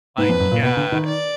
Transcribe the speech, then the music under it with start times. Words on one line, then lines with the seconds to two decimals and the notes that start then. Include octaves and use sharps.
like, uh,
0.18 G#2 B4
0.29 F2
0.40 F#2
0.51 A#2
0.62 B2 B4
0.77 D3
0.92 D#3
1.06 D5